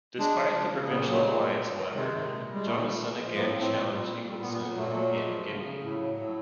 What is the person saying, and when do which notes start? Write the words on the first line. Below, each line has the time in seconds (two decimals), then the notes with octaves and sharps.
Despite the provincial alliance, however, Jonasson again challenged Ingaldson in Gimli.
0.18 G#3 D4
0.37 F3
0.54 C#3
0.72 C#3
0.89 A#2 B3
1.01 A#3
1.07 F#3
1.13 A3
1.25 A#2 G#3
1.42 F#3
1.60 F#3
1.77 D#3
1.95 C3 G#3
2.13 C3
2.30 A#2
2.48 G3
2.55 G#3
2.66 A#2 A3
2.83 G3
3.01 G#3
3.19 F3
3.36 A2 A#3
3.48 C4
3.54 A2
3.60 C4
3.72 A#2
3.89 G3
4.07 A#2
4.25 G3
4.42 A#2 B3
4.53 B3
4.60 F#3
4.77 A#2 A3
4.84 A#3
4.92 F#3 A3
5.13 G#3
5.30 F3
5.48 C#3
5.65 C#3
5.83 A2
6.00 F#3
6.19 A2